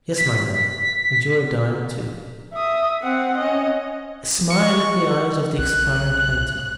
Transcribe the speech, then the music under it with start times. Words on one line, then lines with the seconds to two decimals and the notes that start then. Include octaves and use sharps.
"Yes, my man, and you are dying too." A smile lit the eyes of the expiring Kentuck.
0.18 B6
2.53 E5 D#6
3.03 C4 F#5
3.38 C#4 D#5
4.50 C#6
5.58 B1 F#6